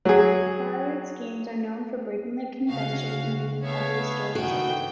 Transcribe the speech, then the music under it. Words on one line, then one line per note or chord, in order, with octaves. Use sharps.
Kyratzes' games are known for breaking with convention and being heavily story-driven.
F#3 G#4
D2 C#3 C#4 F#4 F5
A3 B3 C#5 E5 F5
B1 G2 D#3 E3 A3 F#4 G5